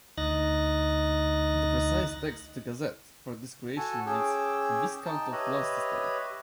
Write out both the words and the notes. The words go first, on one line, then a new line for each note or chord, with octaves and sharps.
The precise text of the Gazette, for this creation reads "Viscount of Launceston".
D2 D#4 D#5 F#6 A6 A#6
F#4 A4 G#5 A5
C#4 G#4 G5 D6 E6
D#4 G5 A5
G4 B4 C#5 D#5 E5 B5